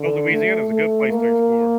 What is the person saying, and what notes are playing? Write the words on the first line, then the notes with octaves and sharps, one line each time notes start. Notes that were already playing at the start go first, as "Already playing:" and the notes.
Oh, Louisiana is a good place to explore.
Already playing: D3
A3
A3
A#3